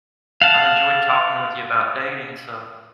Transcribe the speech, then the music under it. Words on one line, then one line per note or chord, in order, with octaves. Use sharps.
I've enjoyed talking with you about dating, so
F5 F#5 A5